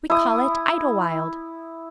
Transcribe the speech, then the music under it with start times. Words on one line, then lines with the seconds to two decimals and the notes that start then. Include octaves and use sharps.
We call it Idlewild.
0.10 E4 D#6